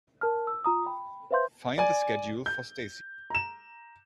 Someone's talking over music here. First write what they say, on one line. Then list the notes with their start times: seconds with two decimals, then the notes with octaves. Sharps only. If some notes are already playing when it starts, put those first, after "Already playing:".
Find the schedule for Stacey.
0.21 A#4 A5 F6
0.47 E6
0.64 F4 A#5 D#6
0.86 G5 B5
1.31 B4 C5 E5 F5 C6 G6
1.78 D5 G#5
2.46 G6
3.30 A#5 E7